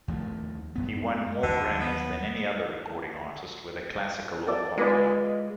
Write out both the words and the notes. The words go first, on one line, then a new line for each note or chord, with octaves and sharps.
He won more Grammys than any other recording artist, whether classical or popular.
D#2 F3 A3
F#2 B3
D#2 D3 F#3
B3
A4 D5
G#3 F4 B4 D5